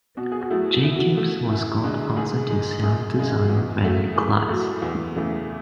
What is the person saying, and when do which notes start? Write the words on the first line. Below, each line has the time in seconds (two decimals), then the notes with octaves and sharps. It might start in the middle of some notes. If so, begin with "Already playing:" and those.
Jacobs was godfather to sound designer Ren Klyce.
0.17 B2 F#4
0.32 G#4
0.41 F#4
0.50 F#3 A3 E4
0.84 B2 E4
0.96 F#4
1.07 E4
1.17 A3
1.50 F#2 E4
1.83 D3 G#3
2.16 G#2 G#4
2.50 G#3
2.83 F#2 G#4
3.16 C#3 G#3
3.49 E2
3.83 C#3 F#3 A3
4.16 A2 G#4
4.49 F#3 A3
4.82 E2
5.16 C#3 E3 A3